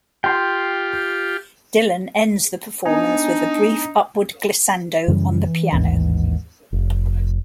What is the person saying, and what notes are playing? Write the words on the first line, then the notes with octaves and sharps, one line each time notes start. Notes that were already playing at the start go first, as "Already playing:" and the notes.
Dylan ends the performance with a brief upward glissando on the piano.
F4 G4 G5 C6
B3 D4 D#4 D#5 G#5
F#2 C#3 E3 G3
E3
A1 D#2 G#2 E3
F1